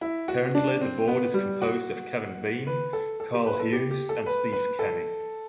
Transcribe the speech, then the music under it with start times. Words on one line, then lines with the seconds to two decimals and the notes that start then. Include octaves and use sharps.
Currently, the board is composed of Kevin Bean, Carl Hughes, and Steve Kenney.
0.01 E4
0.28 F#4
0.55 D4
0.81 C4
1.08 B3
1.34 G3
1.62 F#4
2.67 B4
2.93 A4
3.20 A4
3.34 G4
3.47 B4
3.59 A4
3.73 G4
3.91 G4
4.09 A4
4.27 B4
4.53 B4
4.79 A4